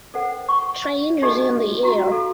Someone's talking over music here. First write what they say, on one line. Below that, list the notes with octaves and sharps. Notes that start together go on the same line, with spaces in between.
Change is in the air.
A4 A#4 C5 F#5 G5
C#6
D4 D#4 F#4 G4 A4 D#5
E4 F#4 G4 A#5
A4 F5